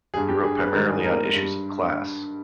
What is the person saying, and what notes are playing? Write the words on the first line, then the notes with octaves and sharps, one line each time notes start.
He wrote primarily on issues of class.
G2 G3 G#4
G4
G#4
B4
G#2 D#3 G3 A#4
G#4
A#4
G2 G3